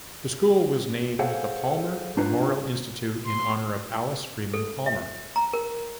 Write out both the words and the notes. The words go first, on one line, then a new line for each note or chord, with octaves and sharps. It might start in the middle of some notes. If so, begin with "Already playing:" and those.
The school was named the Palmer Memorial Institute in honor of Alice Freeman Palmer.
G#4 A4 C5 C#5 F5 F#5
D4 D#4 F4 B4 C#5
C6
A4
E5
A#5
A#4